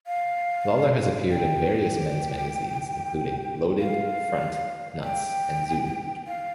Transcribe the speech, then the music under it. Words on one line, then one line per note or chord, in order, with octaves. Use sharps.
Lawler has appeared in various men's magazines, including "Loaded", "Front", "Nuts" and "Zoo".
F5
G5
F5
G5
F5